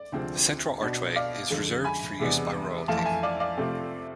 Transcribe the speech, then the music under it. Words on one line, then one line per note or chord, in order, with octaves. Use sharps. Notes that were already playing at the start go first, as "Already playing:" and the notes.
The central archway is reserved for use by royalty.
Already playing: D5
D2 C3 F3 G#3 C4
B2 B3 D4
D5 F5
F2 D3 G#3
G#5 B5
E2 C3 G#3 B3 D4
F2 E3 A3 F5 A5
A5
E5 G#5
D5 F5
D5 F5
C3 F3 A3 C4